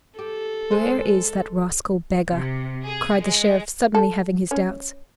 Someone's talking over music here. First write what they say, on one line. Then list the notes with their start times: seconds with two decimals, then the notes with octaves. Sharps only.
"Where is that rascal beggar?" cried the Sheriff, suddenly having his doubts.
0.18 G4 A4
0.71 G#3 C5 D#5
2.29 C3
2.86 G#4
3.23 G#3
3.95 A4
4.51 C#4